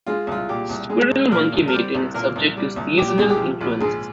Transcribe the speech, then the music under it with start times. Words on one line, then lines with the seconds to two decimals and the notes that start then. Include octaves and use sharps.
Squirrel monkey mating is subject to seasonal influences.
0.06 G#3 F4
0.27 C2 F4
0.49 A#2 G4
0.70 C2
0.90 G#3
1.11 C2
1.31 A#2 A#3 A#4
1.52 C2
1.68 A#4
1.73 G3 C4 C5
1.95 C2
2.14 A#2 A#3 A#4
2.36 C2
2.57 G3
2.76 C2
2.97 A#2 G4
3.08 G4
3.18 C2 G#3 G#4
3.29 G4
3.40 F3
3.61 A#1
3.81 G#2 G#3 G#4